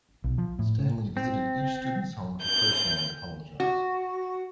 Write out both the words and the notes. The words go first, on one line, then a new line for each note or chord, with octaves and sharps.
Stanley visited each student's home to personally apologize.
B1
F3
A2
C#3
C4
G6
F#4